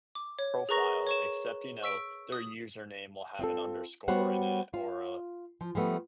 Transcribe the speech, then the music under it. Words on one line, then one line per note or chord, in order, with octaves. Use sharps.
profile except, you know, their username will have an underscore in it or, uh,
D6
C#5
G#4 A#4 B4 A#5 C#6 A#6
C#5 C#6 E7
C#6 E6 B6 D7
D#6
C4 F4 A4
G3 B3 F#4 C5 C#5 F#5
F4
F3
F3 G3 A3 B3